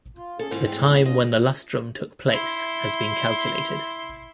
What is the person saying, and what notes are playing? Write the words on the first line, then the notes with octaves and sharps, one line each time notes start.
The time when the lustrum took place has been calculated.
F4
C#4 G#4 A4
G#2 B2 E3
F2 A2 G5
C#4 D4 F4 D#5
E4 C6